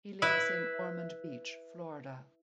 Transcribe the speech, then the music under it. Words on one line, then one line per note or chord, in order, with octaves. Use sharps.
He lives in Ormond Beach, Florida.
E4 B4 E5